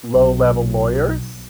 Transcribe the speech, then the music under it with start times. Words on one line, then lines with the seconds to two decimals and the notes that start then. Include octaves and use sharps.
low-level lawyers,
0.14 B1